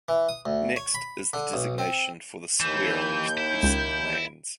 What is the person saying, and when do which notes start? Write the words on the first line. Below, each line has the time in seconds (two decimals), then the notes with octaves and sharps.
Next is the designation for the square on which the piece lands.
0.09 E3
0.29 D#6
0.46 D2
0.76 C#5
0.94 B5
1.33 D3
1.54 B1
1.78 C4
2.60 D#2 E3 G6
3.38 E4
3.63 C#2